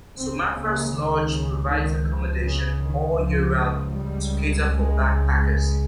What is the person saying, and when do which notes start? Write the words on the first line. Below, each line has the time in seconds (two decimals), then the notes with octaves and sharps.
Maffra Lodge provides accommodation all year round to cater for backpackers.
0.17 C#2 C#3 C4
0.55 A#3
0.92 D#3
1.29 C#3
1.67 D#3
2.04 F3
2.42 C#3
2.81 D#3
3.17 C#2 C#3 F3
3.94 G3
4.69 G#3
5.44 G#3